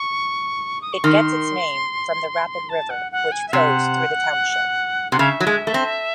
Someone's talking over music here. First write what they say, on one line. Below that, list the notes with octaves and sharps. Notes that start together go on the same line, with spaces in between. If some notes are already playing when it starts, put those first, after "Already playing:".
It gets its name from the Rapid River which flows through the township.
Already playing: C#6
D#6
C#6
D#3 C6
A5
F#5
F#5
G#5
E5
C3 F#5
C3 F#5
C#3 E5
F#3
G#3
A3
C4